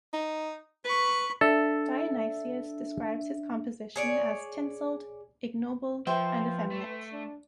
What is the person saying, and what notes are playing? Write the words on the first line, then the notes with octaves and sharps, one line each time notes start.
Dionysius describes his composition as tinselled, ignoble and effeminate.
D#4
B4 B5 C#6
D4 A4 E5
G#4 C#5 D5
F3 B4 C5 E5 G5
A3
D4